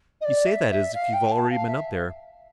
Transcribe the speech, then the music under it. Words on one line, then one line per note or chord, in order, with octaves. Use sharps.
"You say that as if you've already been up there."
D#5
D5
E5
E5
F5
G5
A5
F5
E5